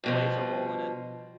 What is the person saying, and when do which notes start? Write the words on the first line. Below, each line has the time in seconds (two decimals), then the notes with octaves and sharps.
plays a role in it.
0.04 G2 B2 F3